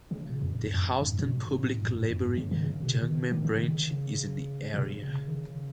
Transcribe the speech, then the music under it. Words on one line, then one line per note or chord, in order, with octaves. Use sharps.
The Houston Public Library Jungman Branch is in the area.
C#3
A#2
F2
F#2
F#2
G#2
B2
G#2
A#2
G#2
F#2
G#2
F#2
G#2
C#3
D#3
C#3
B2
D#3
D#3
C#3
D#3
C#3
B2
C#3
D#3
C#3